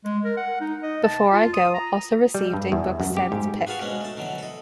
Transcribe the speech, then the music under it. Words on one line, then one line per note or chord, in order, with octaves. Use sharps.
"Before I Go" also received a Book Sense Pick.
G#3
A#4
F#5
D#4
D#5
A5
F4
D#6
A#5
G3
G2
E2
F#2
G4
G#2
F#4 G#4 B4 F5 A5 C#6
G#2 B2 G#3 C#4 D4
A3 A5
B2 D3 E3 F#3
A4 D#5